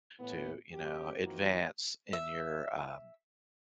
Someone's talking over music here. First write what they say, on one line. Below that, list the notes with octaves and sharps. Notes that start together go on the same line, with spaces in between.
to, you know, advance in your, um,
A2 E3 B3
F#2 G4
E3 F3 A#3 C4 D#4 F#4
E5